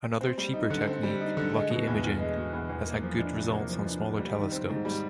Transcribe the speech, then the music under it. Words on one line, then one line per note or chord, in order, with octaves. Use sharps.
Another cheaper technique, lucky imaging, has had good results on smaller telescopes.
C4
G3
D#4
D3
C4
G3
D#4
D3
G#3
B2
E2
E2
G#3
B2
E2
E2
A#3
F3
D4
C3
A#3
F3
D4
C3
G3
D#3
C4
G#2
G3